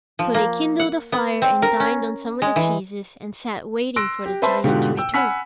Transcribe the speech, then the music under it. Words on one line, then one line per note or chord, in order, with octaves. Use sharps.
So they kindled a fire, and dined on some of the cheeses, and sat waiting for the giant to return.
F3
A#3
F#5
B3
C4
A#4
C#4
G#3
E3
C6 E6 F#6 A#6 D7
G4
B4 C5 E5 A5 C6
G#2 B2 D3 F4 G4
G5 E6
F#5 G#5 B5 E6 F6 B6